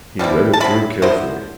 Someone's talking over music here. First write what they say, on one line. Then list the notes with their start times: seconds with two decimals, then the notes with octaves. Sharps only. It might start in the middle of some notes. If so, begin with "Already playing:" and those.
He read it through carefully.
0.19 B2 G3 C4 E4
0.53 A5
0.60 F#3 C4 E4 B5
1.02 D3 F#3 B3 E4 C5